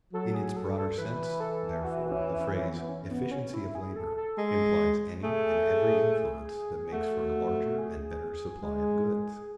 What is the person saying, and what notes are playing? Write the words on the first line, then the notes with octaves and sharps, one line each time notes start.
In its broader sense, therefore, the phrase "efficiency of labor" implies any and every influence that makes for a larger and better supply of goods.
F#3 A4
G#4
A4
A4
E3 B4
A4
F#4
C#4
C#4
B3
C#4
B3
C#4
E4
G#4
A4
A4
G#3
A3 G#4
A3 F#4
G#4
G#3